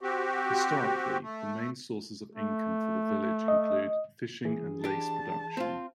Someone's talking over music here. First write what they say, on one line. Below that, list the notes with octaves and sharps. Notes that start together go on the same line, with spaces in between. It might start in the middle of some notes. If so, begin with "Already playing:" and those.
Historically, the main sources of income for the village include fishing and lace production.
C4 F#4 G4
A3
A3
D#5
E3 G#4
D4 G4 A5
C4 F4